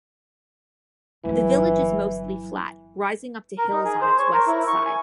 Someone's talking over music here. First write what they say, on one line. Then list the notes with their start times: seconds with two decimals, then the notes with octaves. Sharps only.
The village is mostly flat, rising up to hills on its west side.
1.25 G1 E3 F#3
3.58 A#4
3.72 D#4
3.85 G#4
4.01 C5
4.18 C#5
4.33 A#4
4.47 E4
4.67 C#6
4.86 G#5